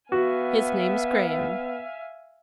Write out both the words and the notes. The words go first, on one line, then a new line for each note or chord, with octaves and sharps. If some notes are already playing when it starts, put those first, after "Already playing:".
His name's Graham.
B3 F#4 E5 F5 G#5